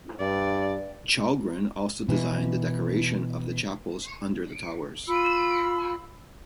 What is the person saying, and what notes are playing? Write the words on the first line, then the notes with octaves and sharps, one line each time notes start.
Chalgrin also designed the decoration of the chapels under the towers.
G2 D5
B2 E3
F4 B5 E6